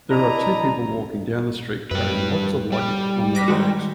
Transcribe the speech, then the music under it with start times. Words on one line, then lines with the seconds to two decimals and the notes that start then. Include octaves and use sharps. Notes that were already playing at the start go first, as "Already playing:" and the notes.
There are two people walking down the street carrying lots of luggage on their bags.
0.09 D4 E4 D#5 A#5
1.91 F#2 G3 B4
2.72 G3
3.35 D6 A#6 B6
3.48 D#3 G#3 F#4